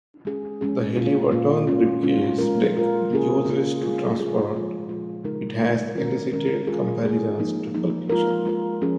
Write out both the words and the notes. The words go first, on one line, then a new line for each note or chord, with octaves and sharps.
The Haliburton briefcase Blake uses to transport it has elicited comparisons to "Pulp Fiction".
G#3 C#4 G#4
G#3 C#4 G#4
A#2 A#3 F4
A#2 A#3 F4
G#3 C#4 F4
G#3 C#4 F4
G#3 F4 A#4
G#3 F4 A#4
C#3 A#3 C#4 F4 G#4
C#3 A#3 C#4 F4 G#4
G#3 F4 G#4
G#3 F4 G#4
A#2 F3 G#3 F4
A#2 F3 G#3 F4
C#3 G#3 D#4 A#4
C#3 G#3 D#4 A#4
D#3 G#3 C#4 A#4
D#3 G#3 C#4 A#4
G#3 F4 G#4
G#3 F4 G#4
F3 A#3 D#4
F3 A#3 D#4
G#3 F4 A#4
G#3 F4 A#4
F3 C#4 G#4